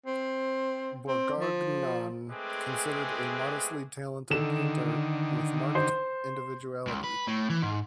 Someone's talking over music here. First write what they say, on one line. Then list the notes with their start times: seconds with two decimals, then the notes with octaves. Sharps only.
Borgognone considered a modestly talented painter with marked individuality.
0.06 C4
1.08 C4
1.39 F3
2.30 G#3 A3 C4 G#4 B4 D6
4.30 D3 D#3 A4 E7
5.75 C5
6.87 C#2
7.04 B4
7.27 A2
7.50 E3
7.63 G#2